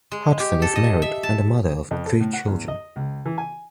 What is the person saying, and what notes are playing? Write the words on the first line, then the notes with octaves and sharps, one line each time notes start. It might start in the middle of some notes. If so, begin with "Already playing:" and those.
Hodson is married and the mother of three children.
G#3
G4
A4
D#5
E5
A5
F2
A4
A2
F#5
E2
D#5
C#2
E3
G#5